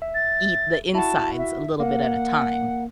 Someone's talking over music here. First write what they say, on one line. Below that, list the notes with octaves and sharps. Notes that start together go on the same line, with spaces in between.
eat the insides a little bit at a time
E5
A6
E4 F#4 A5
E5
A#3 F#5